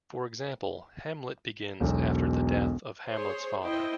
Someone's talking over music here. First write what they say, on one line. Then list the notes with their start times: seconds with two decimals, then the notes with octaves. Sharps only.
For example, "Hamlet" begins after the death of Hamlet's father.
1.80 E1 B1
3.10 G#4 C5 C#5
3.64 E4 C5 D#5 G5